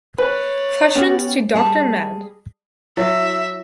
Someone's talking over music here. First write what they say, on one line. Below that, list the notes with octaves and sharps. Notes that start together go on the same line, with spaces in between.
Questions to Doctor med.
B4 C#5 D5
B3 C#4 G4
G3 G#4 A5
F#3 E4 E5 D#6